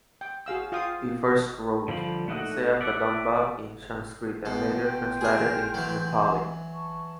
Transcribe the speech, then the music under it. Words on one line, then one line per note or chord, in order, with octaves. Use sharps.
He first wrote "Hansyakadamba" in Sanskrit and later translated it to Nepali.
G5
F#4 G#4 F5 E6
F4 F5 G5 D#6
D3 F3 G3 B5
A3 D4 D#4 F#4
D5 E5 F#5
B2 F4 G4 G#4
G5 C6 G6
G#4 A#4
E3 F#3
A5 C#6